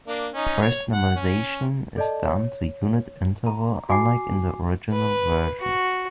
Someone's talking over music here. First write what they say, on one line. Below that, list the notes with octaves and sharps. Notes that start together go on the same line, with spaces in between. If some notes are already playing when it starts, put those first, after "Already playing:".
First normalization is done to unit interval unlike in the original version.
A#3 D4
C#4 D#4
C#5
F#5
C#4
A4 D5 D#5 A5
C#5
A#5
F#4 G#5 D6 C7
B4
F#4